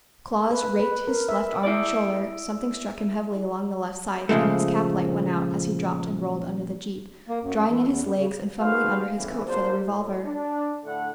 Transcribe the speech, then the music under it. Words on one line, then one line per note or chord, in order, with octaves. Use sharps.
Claws raked his left arm and shoulder, something struck him heavily along the left side, and his cap-light went out as he dropped and rolled under the jeep, drawing in his legs and fumbling under his coat for the revolver.
B4
B4
A#4
E5
E4 D5
A#2 C#3 F3 G#3 A3
A#3
F#2
F#2
E3
E2
F#2
C#3
D#4 F#4 G#4 B4 C5 F5
G1 C#3 E3
C2 A#2 F#3 A#3 D4 C5
A2
D4
A2 D3 A3 D4 F#5